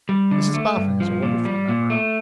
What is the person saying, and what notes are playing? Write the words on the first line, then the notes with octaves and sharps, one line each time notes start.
Mrs Boffin has a wonderful memory.
G3
D3
A3
G2
F3
A#2
G3
A#2
A3